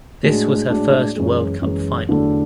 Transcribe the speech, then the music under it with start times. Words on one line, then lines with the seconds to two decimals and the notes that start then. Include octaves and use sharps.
This was her first World Cup final.
0.23 A2 G#3 D4 F#4
0.69 A2 G#3 D4 F#4
1.16 F#2 E3 G#3
1.62 F#2 E3 G#3
2.09 E2 D3 F#3 A3 D4